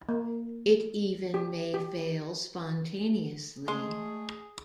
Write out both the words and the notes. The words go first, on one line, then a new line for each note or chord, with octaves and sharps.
It even may fail spontaneously.
A#3
G4
G4
G#3 A3 G#4 C6